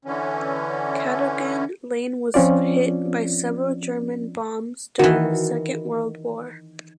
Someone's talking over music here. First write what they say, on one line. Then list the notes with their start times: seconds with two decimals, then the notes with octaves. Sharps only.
Cadogan Lane was hit by several German bombs during the Second World War.
0.05 D3 E3 C#4
2.34 F3 C4 C#4 F4 D5
4.99 D#3 E3 F#4